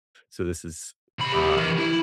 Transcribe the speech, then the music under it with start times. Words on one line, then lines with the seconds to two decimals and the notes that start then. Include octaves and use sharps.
So, this is, um,
1.19 C3 B5
1.32 C#2 G4
1.57 E3 A#4
1.78 E4